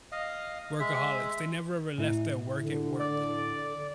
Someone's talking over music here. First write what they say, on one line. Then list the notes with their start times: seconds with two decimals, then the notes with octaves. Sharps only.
workaholics. They never ever left their work at work.
0.12 D#5 F5
0.80 G#3 E5
1.98 A2 E4
2.59 D3
2.99 D5